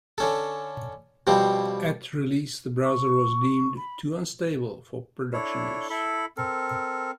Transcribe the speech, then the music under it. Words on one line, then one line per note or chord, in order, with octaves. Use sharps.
At release, the browser was deemed too unstable for production use.
D3 C#4 A4
B2 F3 G3 C4
C#6
B5
D4 E4 A4 C#5
E4 A4 B5
C4 A4 A#4